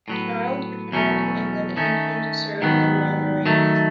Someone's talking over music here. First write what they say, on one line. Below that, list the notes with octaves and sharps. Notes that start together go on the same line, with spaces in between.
Childs returned to England and continued to serve in the Royal Marines.
A2 F#3 B3
E2 B2 F#3 A3 C#4
D#3 A3 C#4
G#2 D#3 F#3 B3
D#3 F#3 A3